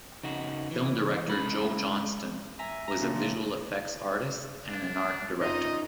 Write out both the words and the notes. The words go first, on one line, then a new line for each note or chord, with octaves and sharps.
Film director Joe Johnston was a Visual effects artist and an Art Director.
C#3 D#4 F#4
E3
G#3 C#4 B5
E5 G#5 A#5
A#5
A#2 C#3 D4
F3
D4
F#2 C#4 D#4 F4 D#5